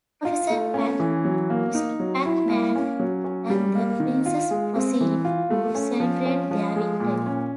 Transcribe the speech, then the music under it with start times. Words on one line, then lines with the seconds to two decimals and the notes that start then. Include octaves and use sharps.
Professor Pac, Ms. Pac Man, and the princess proceed to celebrate their victory.
0.25 F4
0.50 A3
0.74 C#4
1.00 E3
1.25 F#3
1.50 A#3
1.75 D#4
2.00 F#3
2.25 E4
2.50 A#3
2.75 C#4
3.00 F#3
3.24 C#4
3.50 G3
3.75 A#3
4.00 D#3
4.26 F4
4.50 G#3
4.76 C4
5.01 E3
5.25 F4
5.50 A3
5.75 C#4
6.00 F3
6.26 C#4
6.51 F3
6.76 G#3
7.00 A#2
7.26 C#4